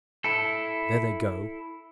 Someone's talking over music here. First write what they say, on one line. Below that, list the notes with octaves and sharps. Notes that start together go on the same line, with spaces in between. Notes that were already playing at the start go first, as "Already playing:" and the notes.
"There they go!"
E4 A4